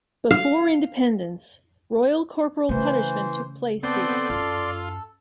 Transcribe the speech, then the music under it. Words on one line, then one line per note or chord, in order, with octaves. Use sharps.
Before independence, royal corporal punishment took place here.
F5
C#3 E3 A3 C5
B3 C4 A4 D5 C6
F#2 F4